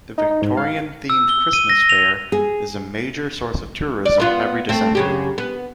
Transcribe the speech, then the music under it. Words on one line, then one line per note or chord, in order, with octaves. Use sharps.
The Victorian-themed Christmas Fayre is a major source of tourism every December.
D#4
D#4
G#2
F5
E6
G7
D#7
A#6
F7
G#4
D5
B3 F4
A3 C4
F#2 C#3 G4
B3